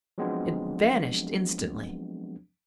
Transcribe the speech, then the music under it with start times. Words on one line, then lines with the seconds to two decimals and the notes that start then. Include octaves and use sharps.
It vanished instantly.
0.18 F3 F#3 G#3 B3 C4 D4